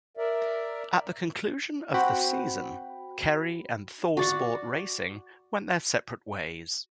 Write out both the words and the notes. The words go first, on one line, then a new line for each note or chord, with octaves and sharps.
At the conclusion of the season, Kerry and ThorSport Racing went their separate ways.
A#4 D5 E5
C4 F#4 G5 B5
F#4 D5 F#5